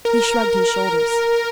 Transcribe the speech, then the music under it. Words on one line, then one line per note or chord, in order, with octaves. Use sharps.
He shrugged his shoulders.
A#4